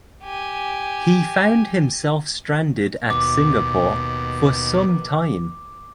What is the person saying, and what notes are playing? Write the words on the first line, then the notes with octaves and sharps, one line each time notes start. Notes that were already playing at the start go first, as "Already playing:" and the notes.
He found himself stranded at Singapore for some time.
G4 G#5
D#2 B2 D6